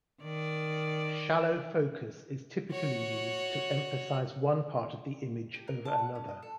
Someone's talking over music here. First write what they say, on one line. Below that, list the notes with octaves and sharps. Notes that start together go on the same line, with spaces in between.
Shallow focus is typically used to emphasize one part of the image over another.
D#3 D5
F#4 C#5
G4
A#4
A5
F#5
C#4
D#5
A4